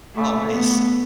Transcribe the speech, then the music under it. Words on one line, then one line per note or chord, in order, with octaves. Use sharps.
Oh, nice.
A3
B3